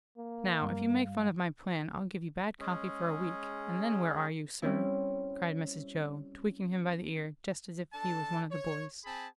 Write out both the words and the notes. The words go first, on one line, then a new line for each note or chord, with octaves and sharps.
"Now, if you make fun of my plan I'll give you bad coffee for a week, and then where are you, sir?" cried Mrs. Jo, tweaking him by the ear just as if he was one of the boys.
A#3
G2 G3 F5
G#3 C#4 G#4
G3 C4 C#4 E4
D4 A4 A5
C#5
C4 G#4 G#5 A5 B5